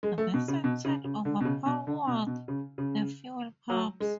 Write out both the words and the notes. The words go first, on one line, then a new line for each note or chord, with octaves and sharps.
This in turn overpowered the fuel pumps.
G#3
A3
B2
C#3
B2
C#3
C#3
D3
B2
C#3
B2
D3
B2
B2
C#3
C#3
F#3
G#3